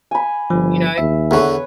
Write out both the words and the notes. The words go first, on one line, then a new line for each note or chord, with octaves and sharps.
you know?
G#5 B5
G1 F3
D#2 E5
E2 D3 B4 C#5